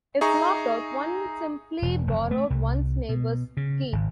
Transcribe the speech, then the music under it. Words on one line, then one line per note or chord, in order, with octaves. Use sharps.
If locked out, one simply borrowed one's neighbour's key.
D#4 G#4 E5 A#5 C#6
E1
F1
A3
C2
B2
C#3
G#1